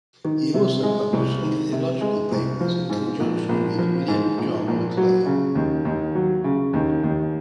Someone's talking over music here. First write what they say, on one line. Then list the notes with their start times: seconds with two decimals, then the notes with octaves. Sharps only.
He also published ichthyological papers in conjunction with William John Macleay.
0.24 D#3
0.54 C3
0.83 G#3
1.13 C2
1.42 D#3
1.72 C3
2.01 G#3
2.32 C2
2.60 F3
2.89 G#2
3.20 A#1
3.49 A#1
3.78 F3
4.08 G#2
4.38 A#1
4.67 A#1
4.97 F#3
5.26 C#3
5.55 D#2
5.85 D#2
6.15 F#3
6.44 C#3
6.73 D#2
7.03 D#2